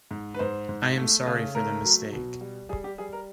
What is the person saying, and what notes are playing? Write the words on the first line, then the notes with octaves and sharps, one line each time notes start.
I am sorry for the mistake.
G#2
B4
G#2 C5
G#2
A3
C#3
A3 A#4
F#3
B2
G3
G3 G#4
G4
G3 G#4
A#4